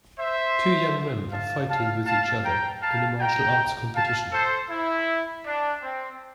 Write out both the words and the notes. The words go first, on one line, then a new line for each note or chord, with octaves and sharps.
Two young men are fighting with each other in a martial arts competition.
C5 E5
F5 A5
F5 A5
F5 A5
G5 A#5
F5 A5
G5 A#5
F5 A5
A4 C5
E4
D4
C4